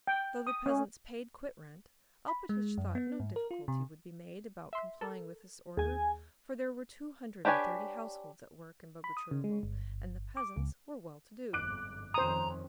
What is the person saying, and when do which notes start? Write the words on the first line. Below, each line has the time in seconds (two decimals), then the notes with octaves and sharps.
Though the peasants paid quitrent, Alpatych thought no difficulty would be made about complying with this order, for there were two hundred and thirty households at work in Bogucharovo and the peasants were well to do.
0.07 G5
0.47 D#6
0.66 C#4
2.28 B5
2.49 G#3
2.78 F#2
2.95 B3
3.20 G#2
3.36 A#4
3.51 F4
3.68 C3
4.73 E5 C6
5.01 A4 A#4
5.77 D#2 G#4 G#5
7.45 D4 G4 B4 C#5 G#5
9.04 B5
9.17 D#6
9.31 C#3
9.44 G#3
9.63 G1
10.37 D6
10.57 C#2
11.53 G1 F2 G#2 D6 F#6 D7
12.14 F2 D#3 C#4 C5 A#5 D#6